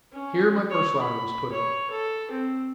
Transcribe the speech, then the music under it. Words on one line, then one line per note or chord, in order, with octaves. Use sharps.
Here my first ladder was put up.
C#4
C#5
B5
C#5
A4
C4